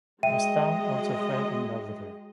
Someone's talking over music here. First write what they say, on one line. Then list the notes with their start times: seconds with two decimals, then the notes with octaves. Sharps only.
Rustam also fell in love with her.
0.23 F#3 G#3 D#5 E5 G5 D#7